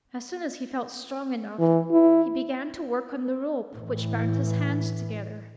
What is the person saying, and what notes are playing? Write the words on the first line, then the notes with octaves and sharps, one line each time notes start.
As soon as he felt strong enough he began to work on the rope which bound his hands together.
E3
E4
A2 E3